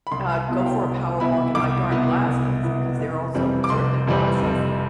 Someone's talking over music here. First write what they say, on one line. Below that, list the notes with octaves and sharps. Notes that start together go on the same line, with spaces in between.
uh, go for a power walk in my dark glasses, because they're also prescriptive glasses,
B5
C2 C6
B5
B2 B3 E4 A5
F5
G5
C2
B2 B3 E4 B5
C2 D6
B2 B3 E4
C2
B2 B3 E4
F1
F2 E3 G3 C4
D6
F1 C6
F2 E3 G3 C4
F1